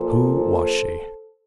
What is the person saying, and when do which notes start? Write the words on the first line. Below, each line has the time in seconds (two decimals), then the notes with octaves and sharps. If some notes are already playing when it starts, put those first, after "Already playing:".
Who was she?
Already playing: A#2 F3 A4 C5